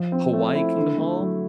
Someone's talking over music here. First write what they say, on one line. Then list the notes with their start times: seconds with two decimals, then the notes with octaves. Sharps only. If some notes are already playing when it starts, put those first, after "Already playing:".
Hawaii Kingdom Hall?
Already playing: F3
0.12 C4
0.33 A3
0.55 E4
0.77 D3
0.98 A3
1.20 F#3